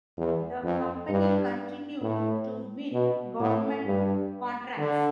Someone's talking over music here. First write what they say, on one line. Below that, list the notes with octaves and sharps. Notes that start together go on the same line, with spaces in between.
The company continued to win government contracts.
E2
F2
G2
A2
B2
A2
G2
D3